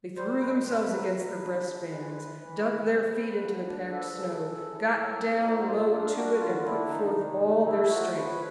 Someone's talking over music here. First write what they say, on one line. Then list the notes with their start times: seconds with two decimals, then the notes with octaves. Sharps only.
They threw themselves against the breast-bands, dug their feet into the packed snow, got down low to it, and put forth all their strength.
0.17 G3 C5
0.42 B2 B4
0.58 C5
0.67 B2 B4
0.92 F#3 B4
1.17 B2
1.42 D4
1.66 G#3
1.92 E3
2.17 E3
2.41 E3
2.67 C3
2.92 C4
3.16 F3
3.41 D3
3.66 D4
3.91 F3 A4
4.16 C#3
4.41 C#3
4.66 E3
4.92 A2
5.15 C4
5.40 F3 D#4
5.58 F#4
5.66 A#2 F4
5.91 D4 F4
6.04 F4
6.15 G3 F#4
6.40 D3 F4
6.61 F4
6.65 D4 E4
6.90 D#3 D#4
7.15 C3
7.40 A3
7.65 A3 E4
7.90 F3 F#4
8.15 F3 B4
8.29 C#5